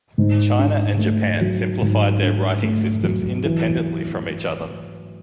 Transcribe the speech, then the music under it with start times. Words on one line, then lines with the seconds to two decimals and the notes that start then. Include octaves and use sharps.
China and Japan simplified their writing systems independently from each other.
0.18 G#2
0.59 D4
0.99 A3
1.41 F#3
1.82 G#2
2.23 D4
2.63 A3
3.03 F#3
3.45 E3